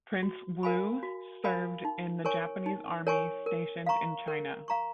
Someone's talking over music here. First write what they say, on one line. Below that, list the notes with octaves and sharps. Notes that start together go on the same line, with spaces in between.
Prince Wu served in the Japanese Army stationed in China.
F#4
A#4 F5 G#5 B5
F#4
A#4 F5 G#5 B5
D#4
A#4 C#5 G#5 C#6
D#4
A#4 C#5 G#5 C#6
A#4
F5 A#5 C#6
A#4
F5 A#5 C#6